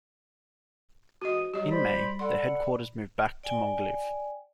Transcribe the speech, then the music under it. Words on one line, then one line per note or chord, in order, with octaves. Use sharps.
In May, the headquarters moved back to Mogilev.
G#2 E3 F#4 D#5 D#6
F#3 G3 G4 D#5
C5 D5 B5
A4 D5 F#5 B5 C6
D5 G5 G#5